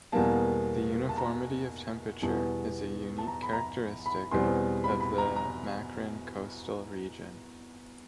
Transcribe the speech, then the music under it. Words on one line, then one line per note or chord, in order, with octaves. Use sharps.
The uniformity of temperature is a unique characteristic of the Makran Coastal region.
E2 B2 G3 A#3 A5
A5
A#5
E2 B2 G3 B3 A5
A5
A#5
B5
A#5
B5
E2 B2 G3 C4 C6
B5
B5
A#5
A#5